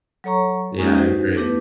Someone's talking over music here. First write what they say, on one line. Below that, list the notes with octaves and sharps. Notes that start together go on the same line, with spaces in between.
Yeah, I agree.
F#3 A4 C#5 A#5 C#6
G#3 A#3 C#4 D#4 F4 G4
D#4 F#4 G4 B4 C5
A3 B3 D4 E4 G4 B4